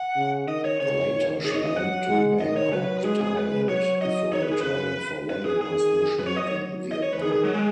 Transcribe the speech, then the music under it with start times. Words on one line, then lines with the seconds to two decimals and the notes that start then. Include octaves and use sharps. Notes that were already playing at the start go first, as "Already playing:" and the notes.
Later she went to Bangkok, Thailand before returning for one last mission in Vietnam.
Already playing: F#5
0.16 C#3
0.47 D#3 D#5
0.65 C#5
0.80 C#3 C#5
1.12 D#3
1.45 G#4
1.51 C#5
1.55 D#5
1.66 D#5
1.76 F#3 F#5
2.08 G#3
2.41 D#3 D#5
2.56 C#5
2.73 F#3 B4
3.04 G#3 G#4
3.21 G#4
3.36 G#3 B4
3.69 F#3 C#5
4.01 D#5
4.33 D#3 C#5
4.42 B4
4.51 G#4
4.60 C#3 B4
5.29 B4
5.45 G#4
5.61 D#3 G#4
6.19 B4
6.25 F#3 C#5
6.36 D#5
6.47 C#5
6.91 D#5
7.02 C#5
7.13 B4
7.21 D#3 G#4
7.33 G#4
7.44 F#3
7.54 G#3